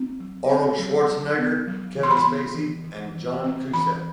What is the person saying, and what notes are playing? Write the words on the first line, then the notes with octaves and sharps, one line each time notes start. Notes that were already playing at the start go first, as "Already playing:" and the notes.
Arnold Schwarzenegger, Kevin Spacey, and John Cusack.
Already playing: C4
F#3
C4
F#3
F#3
B3
F#3
E3
C6
B5
C6
B3
E3
E3
E3
C4
E3 B5